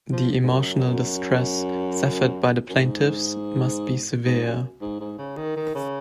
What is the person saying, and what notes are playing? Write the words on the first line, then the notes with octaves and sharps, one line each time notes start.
The emotional distress suffered by the plaintiffs must be severe.
F3
G#2
F#2
F#2
F#2
G#2
G#2
F#2
G#2
G#2
C#3
D#3
D#3
C#3